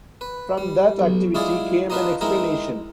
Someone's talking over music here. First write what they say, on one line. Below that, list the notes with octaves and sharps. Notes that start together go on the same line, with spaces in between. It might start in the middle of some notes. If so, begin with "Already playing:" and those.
From that activity came an explanation.
B4
G3
B1
G#3 E4 F4 G#4 D5
D4 F4 B4 C5 D#5 A#5
G#3 C4 D#4 E4 A#4